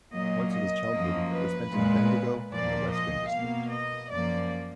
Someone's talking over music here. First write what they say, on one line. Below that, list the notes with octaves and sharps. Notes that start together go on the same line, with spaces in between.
Parts of his childhood were spent in Bendigo and the Western District.
A#2 F#3 A#3 D#5
D#5
F#2 F3 A#3
B4
A#2 G#3
A#2 F3 A#3 D5
D#5
B2 A#3 F5
D#5
F#2 F3 A#3 D5